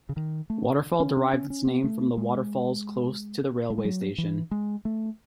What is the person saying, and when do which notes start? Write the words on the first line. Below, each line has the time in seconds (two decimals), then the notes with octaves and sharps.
Waterfall derived its name from the waterfalls close to the railway station.
0.09 C#3
0.17 D#3
0.50 A3
1.00 C#4
1.17 C#4
1.33 C#4
1.50 C#4
1.67 B3
1.84 A3
2.17 G#3
3.70 A3
3.78 G#3
3.85 F#3
4.18 E3
4.51 G#3
4.85 A3